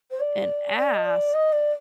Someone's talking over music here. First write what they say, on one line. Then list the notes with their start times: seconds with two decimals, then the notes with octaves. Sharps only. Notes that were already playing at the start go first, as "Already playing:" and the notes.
and ask,
0.10 C5
0.19 D5
0.76 D5
0.94 D#5
1.05 D5
1.33 D#5
1.52 D5